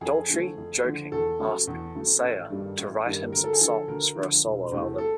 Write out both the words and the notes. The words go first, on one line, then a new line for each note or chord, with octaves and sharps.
Daltrey joking asked Sayer to write him some songs for a solo album.
F2 G#4
D3 F3 A3
F2
D3 F3 A3
E2 A4
C#3 F#3 A3
E2
C#3 F#3 A3
A1
G2 D#3 G3 A#3
A1
G2 D#3 G3 A#3
D2 A#4
A4
G#4
D3 F3 A4
D2 A#4
D3 F3
E1
E2 C3 E3 A3
A4